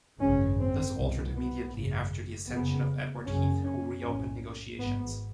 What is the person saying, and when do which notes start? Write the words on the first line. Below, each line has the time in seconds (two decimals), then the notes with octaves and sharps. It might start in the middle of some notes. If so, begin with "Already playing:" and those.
This altered immediately after the ascension of Edward Heath, who reopened negotiations.
0.20 G#1 F#2 C#3 C#4
0.59 C4
0.97 C2 B2
1.35 B3
1.73 G#1 F#2 C#3
2.49 F#1 F2 C#3 B3
3.26 F#1 F#2 C#3 C#4
3.64 C#4
4.01 B1 A2 C#4
4.77 G#1 G#2 B3